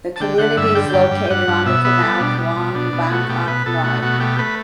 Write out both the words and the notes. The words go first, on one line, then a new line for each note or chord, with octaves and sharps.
The community is located on the canal Khlong Bangkok Noi.
A5
D3 G5
D3 F#5
G2 E5
D3 G5
G2 G5
G2
G2 F#5
G2
B2 E5
B3 E5
G3 A4
B2 D4
G3
B2
B2 D4
B2
A3 F#4
B2 G4
B2 B4
B2 A4
A3 F#4
B2 F#4
A3 G4
A3 B4